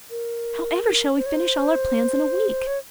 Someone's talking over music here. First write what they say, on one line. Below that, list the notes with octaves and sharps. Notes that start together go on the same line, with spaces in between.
However shall we finish all our plans in a week?
A#4
C5
C#5
C5
C#5